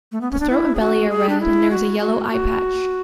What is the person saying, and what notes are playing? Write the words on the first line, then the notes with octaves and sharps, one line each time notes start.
The throat and belly are red and there is a yellow eye patch.
A3
B3
C#4
D4
E4
G#4
F#4
G#4
D4
E4
F#4
F#4
F#4